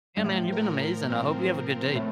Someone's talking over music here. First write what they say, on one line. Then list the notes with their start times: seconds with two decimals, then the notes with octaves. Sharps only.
Yeah, man, you've been amazing, I hope you have a good day.
0.17 G2
0.24 A2 F3
0.52 A#4
0.81 A#4
1.10 C4
1.39 F3
1.67 F3
1.96 A2 A3